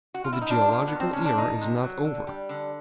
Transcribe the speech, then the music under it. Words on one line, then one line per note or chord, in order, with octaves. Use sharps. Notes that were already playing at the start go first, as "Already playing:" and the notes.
For the geological era is not over.
F#4
F4
E4
D#4
F3 D4
A#2
B3
D#3
C4
C3 C#4
D4
D#3 D#4
C3
F#3
D3
G3
D3